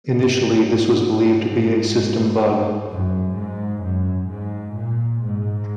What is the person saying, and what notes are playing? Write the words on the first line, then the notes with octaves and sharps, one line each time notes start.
Initially this was believed to be a system bug.
G#2
F#2
G#2
F#2
G#2
A#2
G#2